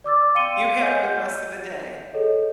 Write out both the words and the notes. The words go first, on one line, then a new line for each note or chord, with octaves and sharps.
You have a good rest of the day.
D5 D6 E6 A6
F5 G5 C6 C#7 D#7 G7
C#5 D#5 F#5 G#5 G6
G6
G#4 A4 C#5 D#5